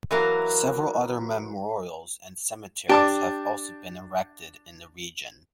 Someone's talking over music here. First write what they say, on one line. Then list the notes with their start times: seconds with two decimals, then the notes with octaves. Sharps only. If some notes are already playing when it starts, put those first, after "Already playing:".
Several other memorials and cemeteries have also been erected in the region.
0.11 E3 F#3 A#3 A#4
2.89 D4 G4 A5 D6